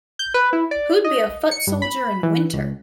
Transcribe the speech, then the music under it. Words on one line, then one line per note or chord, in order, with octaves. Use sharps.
Who'd be a foot soldier in winter?
G6
B4
E4
D5
D#5
C#7
G2
B5
E3
C#2